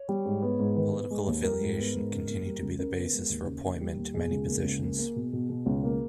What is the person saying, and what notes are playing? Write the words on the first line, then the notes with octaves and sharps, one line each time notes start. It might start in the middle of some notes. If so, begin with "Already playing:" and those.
Political affiliation continued to be the basis for appointment to many positions.
Already playing: C#5
G3
G#2
B3
G#2
D#3 B4
B3
G#3
D#2
G3 A#4
G#2
B3
G#2
C#3
A#3
G3
C#2
C#3 A#4
B3
G#3
D#2
C#3
A#3
G3
D#2
B2 G#4
C#2
A#3
C#2
A#3
A#3
B2
B2
B2
C#2
A#3